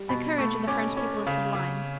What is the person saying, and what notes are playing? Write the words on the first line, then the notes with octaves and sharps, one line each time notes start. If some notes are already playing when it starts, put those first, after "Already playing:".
The courage of the French people is sublime.
Already playing: G3
B2 B5
A3 C#6
C#4 D6
C#4
C#3
C#3